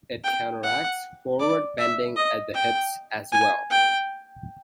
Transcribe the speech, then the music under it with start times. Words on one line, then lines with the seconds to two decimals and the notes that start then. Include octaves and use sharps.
It counteracts forward bending at the hips as well.
0.24 G5
0.63 F#5
1.40 D5
1.78 E5
2.16 D#5
2.54 G5
3.32 G#5
3.70 G5